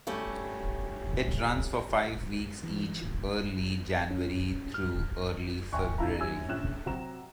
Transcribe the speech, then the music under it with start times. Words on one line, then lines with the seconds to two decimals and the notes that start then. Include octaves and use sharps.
It runs for five weeks each early January through early February.
0.07 G3 A3 C#4
2.63 E3
4.11 C#4
4.74 F6
5.72 E5 G5 G#5 C6 C#6 F#6
5.98 A#1 E4 F5 A5 A#5
6.20 F#2 G#5 E6 G#6
6.48 A#1 C#4 E5 F#6 E7
6.86 C3 F#3 F#4 C5 A#5 E7